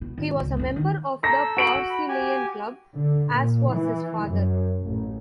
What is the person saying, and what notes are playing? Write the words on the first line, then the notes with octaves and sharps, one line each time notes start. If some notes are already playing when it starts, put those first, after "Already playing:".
He was a member of the Porcellian Club, as was his father.
B2
G#1
C#2
F#2 C3
D#3
A4 A#5 E6 A#6
F#4 D7 F#7
B5
G4 G#5
D3
A#2
E3
F#2
A1